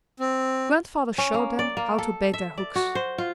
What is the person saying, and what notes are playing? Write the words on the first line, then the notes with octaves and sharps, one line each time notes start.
Grandfather showed them how to bait their hooks.
C4
C#4
A#3
D5
A#3
A4
E5
D5
F#4
C5
F4